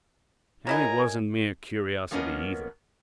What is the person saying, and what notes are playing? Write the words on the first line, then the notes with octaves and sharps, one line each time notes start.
And it wasn't mere curiosity, either.
F#3 E4 A#4 D#5 G#5 A#5
F3 A#3 B3 C#4 A#4 D#5